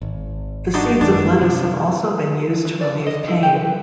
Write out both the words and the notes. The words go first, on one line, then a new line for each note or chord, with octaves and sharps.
The seeds of lettuce have also been used to relieve pain.
G#1
D4 D#4 F#4
F#2 D#3 G#3 D4
C3 F3
B4
D5
D#5
E4
G4
B4